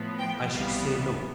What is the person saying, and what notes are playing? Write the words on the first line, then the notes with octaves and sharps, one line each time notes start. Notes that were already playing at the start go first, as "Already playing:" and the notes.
"I should say no."
Already playing: A2 F3 B3
G5
C2 C3 E3 G3 B3 F5